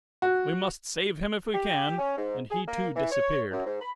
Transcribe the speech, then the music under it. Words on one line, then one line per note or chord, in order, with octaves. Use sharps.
"We must save him if we can!" and he, too, disappeared.
F#4
G4
C#4
G#2
G#4
A#3
E3
C#5
F#2
G#2
B5